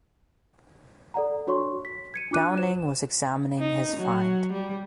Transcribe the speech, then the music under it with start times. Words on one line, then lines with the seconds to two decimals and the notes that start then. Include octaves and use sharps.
Downing was examining his find.
1.14 A4 D5 F#5 A#5
1.47 D4 F#4 C#5 C6 C#6
1.85 B6
2.14 G#6 C#7 D#7
2.31 D4 F4 D6 F#6 D#7
2.58 C5 E7
3.59 D#4
3.96 F#3
4.53 G3